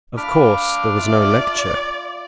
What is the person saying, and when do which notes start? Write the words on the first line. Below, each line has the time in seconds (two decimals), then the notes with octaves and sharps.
Of course there was no lecture.
0.17 D4 F5 B5 D6 F6
0.96 F4 D5 E5